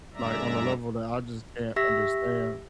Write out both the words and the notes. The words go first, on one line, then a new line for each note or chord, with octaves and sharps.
like on a level that I just can't understand,
F#2 D3 G#3 D5 E5 A#5
G4 E5 E6 A#6 B6